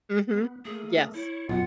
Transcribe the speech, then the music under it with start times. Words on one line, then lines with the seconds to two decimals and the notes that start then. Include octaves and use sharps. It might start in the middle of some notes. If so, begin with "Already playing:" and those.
Mhm, yes,
0.35 B3
0.65 A3 A#3 G#4
1.14 E4 C#5
1.49 B1 F#2 B3 F4 F#5